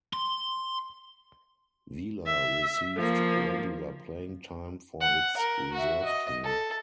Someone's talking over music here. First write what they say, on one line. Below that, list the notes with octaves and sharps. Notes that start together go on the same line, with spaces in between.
Vila received regular playing time for its reserve team.
C6
E5
F3 A#3
F#5
A#4
F#4 E5
D#5
A4